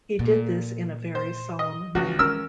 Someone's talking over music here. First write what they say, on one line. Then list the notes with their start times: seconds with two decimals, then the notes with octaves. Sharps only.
He did this in a very solemn manner.
0.19 A#2
1.15 C5
1.59 D#5
1.95 C#2 F3 F#4
2.19 E3 G#3 C#4 A#4 E6